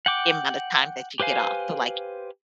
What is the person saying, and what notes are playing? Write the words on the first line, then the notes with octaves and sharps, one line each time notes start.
the amount of time that you get off. So like,
F#5 G5 D6
G4 B4 C5 F5 G#5